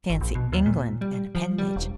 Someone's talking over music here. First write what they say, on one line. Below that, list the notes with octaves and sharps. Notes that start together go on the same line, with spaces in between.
Fancy England an appendage!
G1
A#1
B2
D#2
A#2
G3
F3
G3
E1